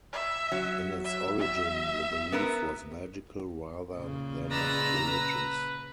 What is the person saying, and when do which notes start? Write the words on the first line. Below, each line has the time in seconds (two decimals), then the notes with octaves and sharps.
In its origin the belief was magical rather than religious.
0.12 E5
0.52 F#3
1.04 E5
1.39 E5
2.32 B3 A#4 B4
3.94 A#2 C#3
4.51 G#3 B4 D5 A#5 E6
5.07 B4